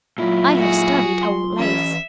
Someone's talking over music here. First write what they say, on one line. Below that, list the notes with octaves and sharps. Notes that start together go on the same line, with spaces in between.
I have studied old lace.
A#2 F#3 E4 F4
F#4 G#4
C6
E3 C#4 E5